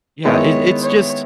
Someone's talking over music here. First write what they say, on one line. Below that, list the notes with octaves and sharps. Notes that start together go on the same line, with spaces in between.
Yeah, it it's just
D#3 G#3 B3 E4 C#5
C#5